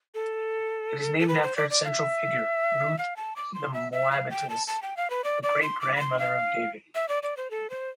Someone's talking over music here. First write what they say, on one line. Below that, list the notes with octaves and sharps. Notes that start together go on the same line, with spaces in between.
It is named after its central figure, Ruth the Moabitess, the great-grandmother of David.
A4
A4
B4
C5
D5
D5
F5
E5
F5
A5
D6
C6
E5
E5
F5
G5
A5
A5
G5
F5
B4
D5
D5
C6
D6
B5
C6
F5
E5
D5
D5
C5
A4
C5